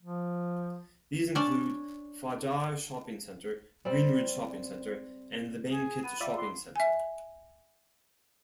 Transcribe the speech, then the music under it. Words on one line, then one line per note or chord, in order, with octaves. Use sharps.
These include Fajar Shopping Centre, Greenridge Shopping Centre, and the Bangkit Shopping Centre.
F3
C#4 D4 D5
G3 C4
G#4 G#5
B3 D#7
G3 F4 D5 E5
B3 C6
E5 G#5